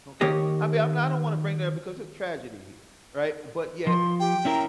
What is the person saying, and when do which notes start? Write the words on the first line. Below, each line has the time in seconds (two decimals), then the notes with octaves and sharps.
okay. I mean, I'm I don't wanna bring that up because it's tragedy here, right? But yet,
0.21 D#3 A#3 G4 C#5 D#5
3.87 F3 C6
4.20 G4 G5
4.45 C#4 E4 A#4 A#5